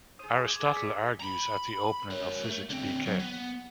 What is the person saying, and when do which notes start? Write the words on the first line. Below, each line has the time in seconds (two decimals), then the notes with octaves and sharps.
Aristotle argues at the opening of Physics bk.
0.19 G#4 C5 D#6 D#7
0.48 D6 G#6
0.60 G#4 D5 D6
0.74 E6 B6 C#7
1.20 A#5 B5
2.10 A#4 C#5
2.44 A3
2.70 D3 C4
3.06 F#3
3.19 B3